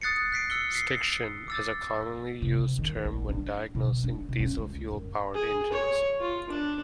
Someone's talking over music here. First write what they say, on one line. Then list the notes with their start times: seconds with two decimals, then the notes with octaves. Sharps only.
Stiction is a commonly used term when diagnosing diesel fuel powered engines.
0.01 D#6 F#6 A6 C7 C#7
0.32 F#6 B6 C7 D7
0.50 E6 C#7 G7
0.75 B6 C7
1.48 D6 E6 A6
2.42 C3
2.79 D#3
3.05 A#1
3.29 D4
3.75 B2
4.04 D4
4.29 B2
4.40 C#4
4.58 C#2
4.91 F#2
5.34 G#4
5.72 C#5
6.20 F4
6.49 D4